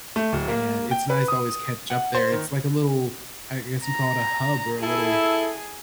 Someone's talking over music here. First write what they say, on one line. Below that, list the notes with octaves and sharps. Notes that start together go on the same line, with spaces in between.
and it's nice to always catch up there. It's like a little I guess you call it a hub or a little
A3
D1
A#3
G5
B4
D#6
F#5
C5
D#3
A#5
E4 G#4 A4